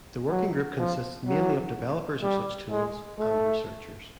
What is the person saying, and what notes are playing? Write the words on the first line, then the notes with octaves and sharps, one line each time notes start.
The working group consists mainly of developers of such tools and researchers.
F#3
F3
F#3
G3
G#3
A3